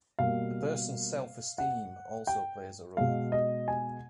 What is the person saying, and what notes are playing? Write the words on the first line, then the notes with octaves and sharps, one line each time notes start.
The person's self-esteem also plays a role.
B2 G3 A#3 F5
F#5
G5
B2 G#3 F5
D#5
G#5